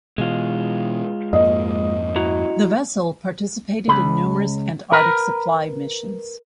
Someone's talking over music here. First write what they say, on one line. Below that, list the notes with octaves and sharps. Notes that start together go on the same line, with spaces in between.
The vessel participated in numerous Antarctic supply missions.
B2 E3 G#3 F4
F2 G#2 A#3 D#5
E4 F#4 A#5
C#2 B5
A#4 B4 A#5 B5